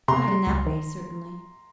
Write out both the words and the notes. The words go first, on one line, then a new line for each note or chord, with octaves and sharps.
"Not in that way, certainly."
C3 A#5 C6
G3
C#2
D#3